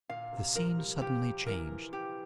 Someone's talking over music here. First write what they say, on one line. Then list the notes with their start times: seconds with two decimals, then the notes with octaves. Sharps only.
The scene suddenly changed.
0.09 A#2 F5
0.32 C3
0.55 F3 A#4
0.79 G3
1.01 F3 G4
1.47 E3 A#4
1.93 G4